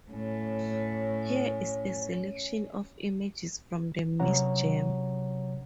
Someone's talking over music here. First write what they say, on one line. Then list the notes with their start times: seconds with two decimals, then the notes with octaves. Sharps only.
Here is a selection of images from the Ms. Germ.
0.11 A2 C#4
4.20 C3 F#3 C#4 C#5 F#5 A#5